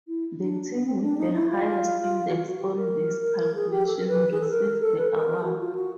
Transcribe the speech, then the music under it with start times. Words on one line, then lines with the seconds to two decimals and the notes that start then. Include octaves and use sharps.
The team with the highest index on this calculation received the award.
0.08 E4
0.39 D4
0.70 B3
0.86 C4
1.02 D4
1.18 D#4
1.33 E4
1.49 F4
2.28 F#4
2.37 F4
2.45 F#4
2.59 G4
2.76 A#4
3.55 G#4
3.70 G4
3.86 A4
3.96 A#4
4.07 B4
4.32 G#4
4.40 A4
4.49 A#4
4.81 A4
4.97 B4
5.12 A#4
5.44 F#4
5.59 F4
5.75 F#4